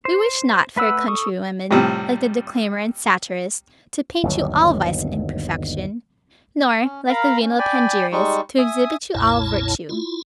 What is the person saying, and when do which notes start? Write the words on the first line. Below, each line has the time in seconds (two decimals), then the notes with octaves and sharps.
We wish not, fair countrywomen, like the declaimer and satirist, to paint you all vice and imperfection, nor, like the venal panegyrist, to exhibit you all virtue.
0.05 C5
0.76 A3 B4 F#5 E6
1.08 A4 C#6 D#6
1.71 A2 C3 F3 G3
4.23 G1 D#2 F#3
6.85 C#4
7.09 A#4 F5 A#5 B5
7.41 C#4
7.59 D5 G5 G#5 B5
8.12 G3 G#3 D#4 C#6
8.58 E5 G#5 D#6
9.15 B1 F2 A#2 E4 C#5 A5
9.89 E4 F4